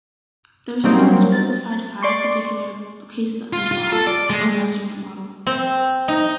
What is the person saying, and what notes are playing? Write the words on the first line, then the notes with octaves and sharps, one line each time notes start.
Thurstone specified five particular cases of the 'law', or measurement model.
F#3 G3 A#3 C4 D#4
A6
D5 C6 C#6
F4
F4
A4
D5
G#3
C4
D#4